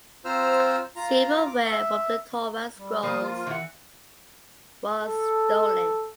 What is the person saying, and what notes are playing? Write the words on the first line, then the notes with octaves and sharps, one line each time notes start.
Silverware from the Torah scrolls was stolen.
C4 F4 C5 A#5 E6 F6
F4 A#5
D6
E5
G3
F3 A#3 A#4 C5 D#6
F4
E3 F#5
A4